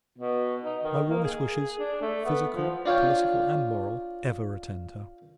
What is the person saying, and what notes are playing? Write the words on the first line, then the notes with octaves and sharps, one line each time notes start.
My warmest wishes--physical, political, and moral--ever attend her.
B2
D#4
D#3
A#3
G#4
D4
A3
B3
F3
D4 F4 C#5 G5